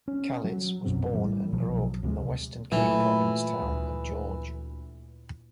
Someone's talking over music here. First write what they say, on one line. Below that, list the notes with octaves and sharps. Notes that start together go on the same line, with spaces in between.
Calitz was born and grew up in the Western Cape Province town of George.
C#4
F#3
A#1 F#2 B2 C4
A2 E3 G3
B1 B2 F3 F#3
D2 C3 G3 G#3
A#2 E3 F#3 A3 E4
D2